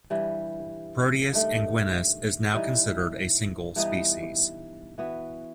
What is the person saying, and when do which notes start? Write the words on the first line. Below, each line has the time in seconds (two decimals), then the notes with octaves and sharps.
"Proteus anguinus" is now considered a single species.
0.10 G2 E3 G3
1.32 G2 D#3 A3
2.54 E3 G3 D#4
3.76 G2 E3 B3 D#4
4.98 E3 B3 F#4